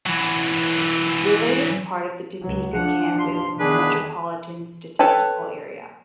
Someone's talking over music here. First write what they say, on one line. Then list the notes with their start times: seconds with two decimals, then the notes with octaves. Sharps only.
Willard is part of the Topeka, Kansas Metropolitan Statistical Area.
0.06 E3 F#3
2.41 C#2 F#3
2.74 F3 D4 F#5
3.20 D#2 C6
3.60 E2 D#3 D4 G#4 B4
4.99 A4 B4 C#5 G5 A5